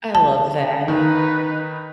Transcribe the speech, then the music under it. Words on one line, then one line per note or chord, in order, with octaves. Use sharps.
I love that.
A5
D#3 D#4 B4